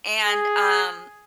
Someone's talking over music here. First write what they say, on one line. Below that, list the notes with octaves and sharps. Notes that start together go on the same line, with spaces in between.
and um
G#4